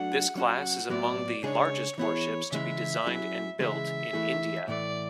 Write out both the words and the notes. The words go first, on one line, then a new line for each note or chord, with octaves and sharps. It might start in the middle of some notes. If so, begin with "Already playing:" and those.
This class is among the largest warships to be designed and built in India.
Already playing: F#3 A3 D4 F#4 F#5
F#3 C#4 F#4 F#5
A2 F#3 B3 F#4 D5
C#3 G#3 D4 G#4 C#5
E3 B3 E4 G#4 C#5
C#3 E3 G#3 C#4 E5
F#3 C#4 E4 G#4
C#3 E3 G#3 C#4 G#4 E5
E3 A3 E4 G#4
A2 E3 A3 D5